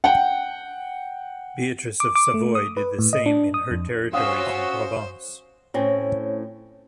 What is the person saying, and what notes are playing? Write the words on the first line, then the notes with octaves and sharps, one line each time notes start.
Beatrice of Savoy did the same in her territories in Provence.
F#5 G5
D6
D6
A3
D#6
B4
A2
D#5
D4
D#6
F2
C#4 F4 F#4 C5 F5 D#6 E6
A2 C4 C#4